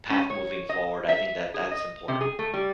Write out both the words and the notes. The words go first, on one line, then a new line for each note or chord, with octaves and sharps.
path moving forward, I think that that's important.
C#4
C#5
D#5
E5
G#4
D#5
C3
G#4
A3
G3